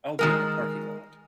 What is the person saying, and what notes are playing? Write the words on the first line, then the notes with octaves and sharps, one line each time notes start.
I'll be in the parking lot.
D#3 G#3 A#4